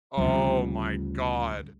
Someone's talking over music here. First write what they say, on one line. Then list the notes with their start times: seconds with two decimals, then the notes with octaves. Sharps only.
Oh, my god.
0.17 D2 C#3 F3 G3